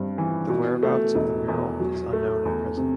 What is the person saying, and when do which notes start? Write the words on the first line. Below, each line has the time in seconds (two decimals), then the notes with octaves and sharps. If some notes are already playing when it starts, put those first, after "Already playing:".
The whereabouts of the mural is unknown at present.
Already playing: G2 C4
0.18 E3
0.50 B2
0.83 A3
1.15 E1
1.48 E2
1.80 F#3
2.13 A3
2.45 E2
2.77 C3